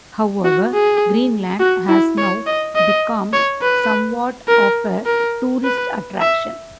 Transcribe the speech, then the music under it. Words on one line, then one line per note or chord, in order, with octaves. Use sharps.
However, Greenland has now become somewhat of a tourist attraction.
F#4
G#4
F#4
E4
C#5
D#5
D#5
C#5
B4
A#4
A#4
B4
E5